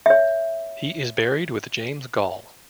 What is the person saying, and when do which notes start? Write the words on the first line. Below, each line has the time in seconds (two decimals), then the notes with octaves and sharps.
He is buried with James Gall.
0.06 C#5 E5